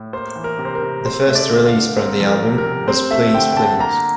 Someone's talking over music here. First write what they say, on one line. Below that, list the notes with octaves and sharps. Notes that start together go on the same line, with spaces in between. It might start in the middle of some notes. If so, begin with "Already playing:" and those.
The first release from the album was "Please Please".
Already playing: A2
A#3 C5
E3
A#4
C3
C5
A#4
C3
C4 C5
A3 E5
D5
D3
F5
D3
C4 A#4
F3
A#4
C3
A#4
C3
C4 C5
A3 E5
D3 G5
G5
D3 A5
A#3 A#5